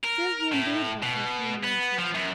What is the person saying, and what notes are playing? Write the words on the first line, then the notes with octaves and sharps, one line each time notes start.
Still he endured her for a few moments longer.
A#4
A2
B2
B3
F3
F#2